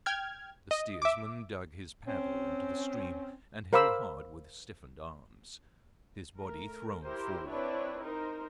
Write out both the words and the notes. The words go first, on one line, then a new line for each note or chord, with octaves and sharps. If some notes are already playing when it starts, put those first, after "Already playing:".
The steersman dug his paddle into the stream, and held hard with stiffened arms, his body thrown forward.
G5 F6 G#6
D#5
E5 D6
C4 C#4
A#4 C5 F5 B5 D6 E6
A3 A#4
E4 G4 A#4 C5
C4 D4 E4 B4 C#5
D#4 A#4 C5